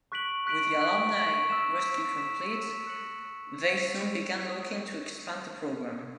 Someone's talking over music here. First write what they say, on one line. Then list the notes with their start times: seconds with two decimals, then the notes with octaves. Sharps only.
With the alumni rescue complete, they soon began looking to expand the program.
0.12 C#6 F#6 B6 D7 F#7
0.46 C#6 F#6 B6 D7 F#7
0.80 C#6 F#6 B6 D7 F#7
1.15 C#6 F#6 B6 D7 F#7
1.49 E6 B6 E7
1.84 E6 B6 E7
2.18 E6 B6 E7
2.52 E6 B6 E7
2.87 F#6 C#7 F#7